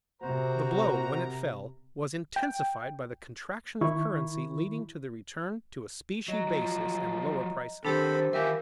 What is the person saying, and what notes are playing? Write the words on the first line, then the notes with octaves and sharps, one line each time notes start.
The blow, when it fell, was intensified by the contraction of currency leading to the return to a specie basis and lower prices.
C3 F#4 A#4 C5 A#5
G5
D#3 E4 C#6
F#3 D#5 A#5
F3 F#3
D3 D#3 C4 D4 G4 A4 C5 B5
D#3 E3 G4 A#4 E5 F5 G#5